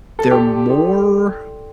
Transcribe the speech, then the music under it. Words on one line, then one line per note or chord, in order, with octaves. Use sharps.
they're more
A4
E4 G4 A4 D5 G5 C6
E4 A4 D5 G5 C6